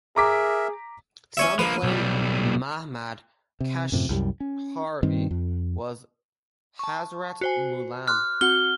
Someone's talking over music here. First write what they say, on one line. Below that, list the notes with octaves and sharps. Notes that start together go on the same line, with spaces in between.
Some claim Mahmad Kashghari was Hazrat Mullam.
G#4 A#4 E5 A#5 D6 B6
C#4 C#5 E5
F3 A#3 B4
B1 G3
C3
F#2 A2 C3 F3
C2 F#2 G3
C#4
G2 D#3 C4
F2
A5 C#6
F#4 C5 G#5
C6 D6 F6 F#6
C4 F#4 F#5 F6 G7